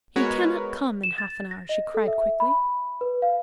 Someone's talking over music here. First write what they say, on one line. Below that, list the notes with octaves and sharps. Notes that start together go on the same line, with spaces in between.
"He cannot come in half an hour," she cried quickly.
G#3 B3 F#4 A#4 B4 C#5
E7
A6
A#6
D#5
A4
E5
B5
B4
F5